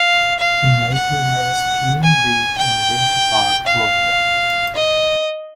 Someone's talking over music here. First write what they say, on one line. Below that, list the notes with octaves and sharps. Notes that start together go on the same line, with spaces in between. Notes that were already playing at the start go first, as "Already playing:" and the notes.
In later years, King lived in Winter Park, Florida.
Already playing: F5
F5
F#5
G#5
G5
F5
D#5